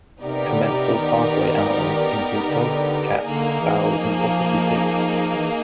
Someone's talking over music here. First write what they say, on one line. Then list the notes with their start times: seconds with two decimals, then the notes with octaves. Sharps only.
Commensal pathway animals include dogs, cats, fowl, and possibly pigs.
0.21 C3 B3 D#4 G4 A#4 D5
0.46 D3
0.72 C3
0.97 D#3
1.72 D#3
2.47 D3
3.23 D3 A#3 D#4 G#4
3.61 E3
3.99 F3
5.38 E3